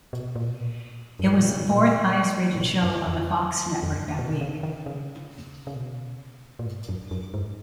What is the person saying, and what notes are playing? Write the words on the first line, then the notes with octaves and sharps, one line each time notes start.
It was the fourth-highest-rated show on the Fox Network that week.
B2
A#2
B2
A#2
F#2
G#2
A#2
C#3
B2
A#2
A#2
B2
F#2
F2
F2
F#2
B2
C#3
D#3
C#3
C#3
B2
A#2
G#2
F#2
F#2
G#2